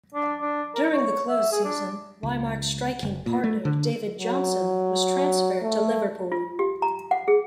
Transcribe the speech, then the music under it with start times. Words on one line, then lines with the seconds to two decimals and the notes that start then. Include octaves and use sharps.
During the close season Whymark's striking partner David Jonson was transferred to Liverpool.
0.14 D4
0.41 D4
0.75 A#4
0.93 C#5
1.29 E5
1.52 G#4
1.64 D4
2.23 C#2
3.03 F#1
3.26 A#2
3.44 A3
3.65 D3
4.19 F#3
5.62 A3
6.32 F4
6.59 G4
6.82 A#5
7.11 F#5
7.28 G#4